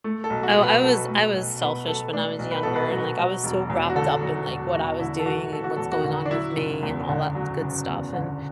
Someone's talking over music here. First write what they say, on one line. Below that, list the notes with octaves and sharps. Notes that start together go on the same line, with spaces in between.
Oh, I was I was selfish when I was younger, and, like, I was so wrapped up in, like, what I was doing, and what's going on with me, and all that good stuff, and,
A3
A4
B1
F#4
B2
B4
F#3 A4
A3
B1
B2 B4
F#3 A4
A3 D4
B1
B4
B2 A4
B4
F#3
F#3
E1
E2
F#4
D3 A4
F#3
E1
E2 F#4
D3 E4
A4
F#3 F#4
E1 A4
F#4
E2 A4
F#4
D3
D4
F#3 E4
F#1
E2
D3
F#3
F#1
E2
D3